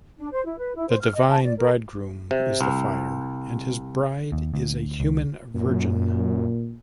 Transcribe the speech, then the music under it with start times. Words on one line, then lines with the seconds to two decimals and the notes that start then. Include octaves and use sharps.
The divine bridegroom is the fire and his bride is a human virgin.
0.18 D4
0.33 C5
0.45 E4
0.58 B4
0.75 E4
0.89 C5
1.01 F6
1.14 D#5
1.29 A5
1.44 D5
1.58 A#4
2.31 C3
2.61 C2
4.32 D#2
4.54 D2
5.00 C#2
5.55 F#2 A#2